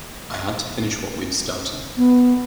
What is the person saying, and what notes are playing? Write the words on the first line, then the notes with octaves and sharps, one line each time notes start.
I had to finish what we'd started.
B3